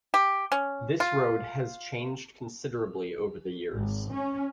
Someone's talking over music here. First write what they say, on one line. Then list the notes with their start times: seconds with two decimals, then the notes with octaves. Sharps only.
This road has changed considerably over the years.
0.14 G4
0.52 C#4
1.00 F4
3.73 G#1
4.11 C#4